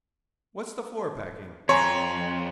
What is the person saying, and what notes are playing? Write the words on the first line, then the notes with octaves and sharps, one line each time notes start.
What's the floor-packing?
F2 C#5 G#5 A#5 C6